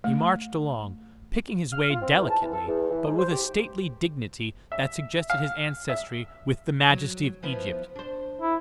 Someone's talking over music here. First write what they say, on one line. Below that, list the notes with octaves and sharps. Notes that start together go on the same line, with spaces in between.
He marched along, picking his way delicately, but with a stately dignity that suggested his ancestry with the majesty of Egypt.
A3
F6
F4
C4
E2
A5
E3
A4
E2
E3
G#2
C5
G4
E5
F5
E5
F#3
F3 B3 E4
D4 C5
E4